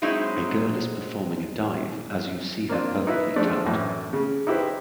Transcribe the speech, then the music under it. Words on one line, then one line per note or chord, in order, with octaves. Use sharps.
A girl is performing a dive as you see her perfectly tucked.
F#3 G#3 C4 D#4 E4
A#3 C4 D4 F4
D#4 E4 B4 E5
F3 G#3 A3 D4
F#2 A2 E3
C#3
D#4 E4 G4 B4 C5